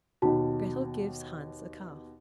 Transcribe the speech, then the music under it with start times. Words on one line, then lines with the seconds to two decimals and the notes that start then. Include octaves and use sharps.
Grettel gives Hans a calf.
0.22 D#2 B2 F#4 A5